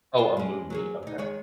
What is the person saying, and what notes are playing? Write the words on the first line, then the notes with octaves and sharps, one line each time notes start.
Oh, a movie, okay.
D4 F4
G#3 C#4
F#3 A#3 G#4
D2 D#4
D#3 G#3 C#5